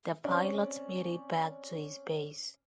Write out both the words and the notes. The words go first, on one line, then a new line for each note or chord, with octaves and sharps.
The pilot made it back to his base.
C4 C#4 D5